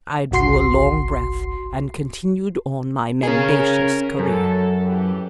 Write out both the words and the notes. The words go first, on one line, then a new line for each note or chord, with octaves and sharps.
I drew a long breath and continued on my mendacious career.
G1 C2 F#4 C6 C7
C#4 G#4 A#4
F#2 A4
E3 G4